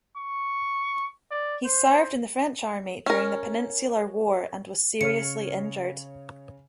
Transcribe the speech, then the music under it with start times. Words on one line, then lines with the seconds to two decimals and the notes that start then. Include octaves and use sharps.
He served in the French army during the Peninsular war and was seriously injured.
0.17 C#6
1.31 D5
1.65 C5
3.06 C#4 A#4
5.01 C#3 C#5 F6 C#7